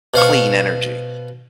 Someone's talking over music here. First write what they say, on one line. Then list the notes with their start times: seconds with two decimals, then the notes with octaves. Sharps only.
clean energy,
0.14 B2 C5 F5 C#6